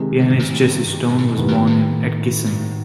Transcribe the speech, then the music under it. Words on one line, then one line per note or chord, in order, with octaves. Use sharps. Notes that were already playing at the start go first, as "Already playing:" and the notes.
Pianist Jesse Stone was born in Atchison.
Already playing: C3 D#3 G#3
C#3
G#2
A#2
A2
A2
G2
G2
G#2
A2
B2
F#2 D#3 G3 B3 E4
G2
G#2
A2
A#2
A2